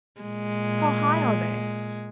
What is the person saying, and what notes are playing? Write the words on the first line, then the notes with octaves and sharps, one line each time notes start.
How high are they?
A#2 G#3